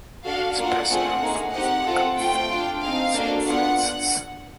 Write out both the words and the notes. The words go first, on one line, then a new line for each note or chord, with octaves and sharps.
He is best known for his work on the film "Saint Frances".
D4 F#4 A4 F5
A#3 D4 F4 A4 F#5
A3 C4 F4 G#4
A#3 D#4 G#4
C4 D#4 G4 F#5
C4 F4 A4
A3 C4 F4 G5
D4 F4 A4
C4 D#4 G#4 F5
A#3 D4 F#4 A4
B3 D4 F4 F#5